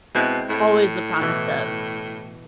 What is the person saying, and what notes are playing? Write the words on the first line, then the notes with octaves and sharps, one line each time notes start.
always the promise of
B2 G#3 C4 E4
A2
B2 E3